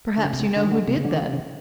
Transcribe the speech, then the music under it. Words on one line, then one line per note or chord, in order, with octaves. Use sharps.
"Perhaps you know who did, then?"
D3
C#3
C3
C#3
D3
D#3
D3
C3
C#3
D3
D#3
C#3